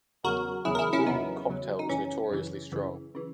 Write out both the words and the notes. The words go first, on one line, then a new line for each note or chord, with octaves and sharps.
His Blue Moon cocktail was notoriously strong.
E2 C#3 F#3 F#4 A#4
E2 C#3 F#3 E4 G#4
A#4
E4 G#4
C#4 E4
E2 C#3 F#3 B3 D#4
E2 C#3 F#3
D#4
F#2 C#3 E3 C#4
F#2 C#3 E3
F#2 C#3 E3
C#3 E3